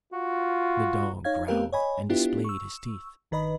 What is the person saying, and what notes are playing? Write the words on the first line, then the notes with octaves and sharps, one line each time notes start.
The dog growled, and displayed his teeth.
F4 F#4
D#4 C#5 F5 G#6
A3 B3 C4 G4 A#4 F5
C#5 D#5 G#5 B5
B3 D4 E4 F4 G4
C#6 E6
G1 D#3 B4 D#5 B5